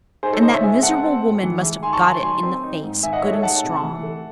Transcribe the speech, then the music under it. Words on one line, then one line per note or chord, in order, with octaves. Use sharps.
And that miserable woman must have got it in the face, good and strong.
D#4 G#4 C5
A4 C#5
C#3 C5 D#5
C#5 E5
G#3 E5 G#5
C4 F#5 A5
C4
A2
E3
G#3
D#3 G#5 C6
A5 C#6
D#3 G#5 C6
F#3 G#5 C6
C4
D#4
G#2
D#3 E5 G#5
D#5 F#5
G#3 C#5 E5
A4 C#5
D#4 F#5 A5
C3
E3
A3